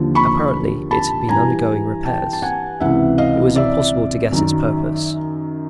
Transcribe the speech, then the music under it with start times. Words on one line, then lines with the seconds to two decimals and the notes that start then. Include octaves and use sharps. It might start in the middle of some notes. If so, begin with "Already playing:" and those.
Apparently it had been undergoing repairs; it was impossible to guess its purpose.
Already playing: D#2 D3 F3
0.15 B5 C#6
0.91 A5 B5
1.29 G2 E3 G#5 A#5
2.06 G5 A5
2.33 A5
2.42 F#5 G#5
2.80 C#2 C3 E3 E5 F#5
3.18 D#5 F5
3.56 D5 E5
4.32 F#2 D#3 F#3